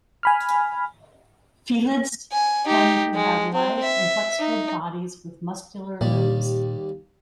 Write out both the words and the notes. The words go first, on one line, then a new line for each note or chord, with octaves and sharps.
Felids tend to have lithe and flexible bodies with muscular limbs.
G#5 B5 F6
G#5
D#4 G4
G#3
C4
E5
D#4
D#2 A#2 G3